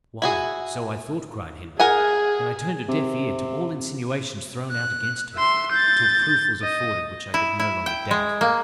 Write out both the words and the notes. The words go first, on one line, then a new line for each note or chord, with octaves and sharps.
"Why, so I thought," cried Henry, "and I turned a deaf ear to all insinuations thrown out against her, till proof was afforded which I could no longer doubt."
E4 F#4 G#4
G#4 A#4 F#5 G#5
C3
F#6
E5 C6
G6 A6
D#5
E4
E4
G5
G#3
A#3